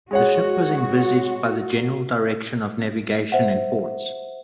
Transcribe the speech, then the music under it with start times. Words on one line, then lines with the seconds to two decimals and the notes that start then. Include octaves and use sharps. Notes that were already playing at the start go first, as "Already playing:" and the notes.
The ship was envisaged by the General Direction of Navigation and Ports.
0.11 G#3 F#4 C#5 F#5
3.32 C5 E5 F#5